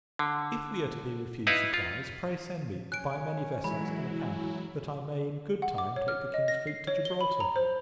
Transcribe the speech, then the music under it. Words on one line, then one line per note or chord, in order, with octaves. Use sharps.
If we are to be refused supplies, pray send me, by many vessels, an account, that I may in good time take the King's fleet to Gibraltar.
D3
D#4 E4 B4 F5
F4
C#4 F#6 D7
E3 F#3 G#3 E4 B5
C#4
F#5
D6
C#5
F6
D#5
A#6
C7
C#5
G7
B5
A#5
C5